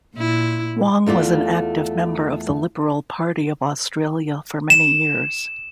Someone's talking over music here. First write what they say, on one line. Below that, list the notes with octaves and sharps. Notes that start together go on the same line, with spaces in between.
Wong was an active member of the Liberal Party of Australia for many years.
A#2 E4
E2 A3 F4 D5
E7